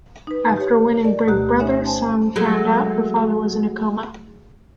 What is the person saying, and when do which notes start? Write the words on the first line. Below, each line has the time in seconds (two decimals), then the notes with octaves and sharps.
After winning Big Brother, Song found out her father was in a coma.
0.27 D#4 B4
0.57 G4 C#5
1.03 A#4 D5 D#5
1.27 D2 B2 A3 G4 A#5 F#6
1.59 C#4 D#4 C#5 E5 G#5
1.85 C5 G#5 A5 C6
2.36 F#3 G#3 A3